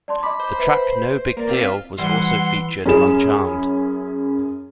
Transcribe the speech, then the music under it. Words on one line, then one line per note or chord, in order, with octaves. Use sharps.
The track "No Big Deal" was also featured on Charmed.
D5 A5 C6
D#5 B5 D6
C5
B4 E5
A#3 D5
C4 F4 B6
E3 G3 F#5 C6
F#2 C#4 E4 G#4 E7